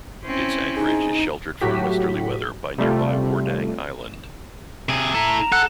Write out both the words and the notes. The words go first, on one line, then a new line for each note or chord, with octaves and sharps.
Its anchorage is sheltered from westerly weather by nearby Wardang Island.
C4 C#4 E4
D#4 G#4
A2 F#3 F#4 G4 B6
C3 G3 A3 F4
C3 G#4
E4 A4 A#5
A4 F#5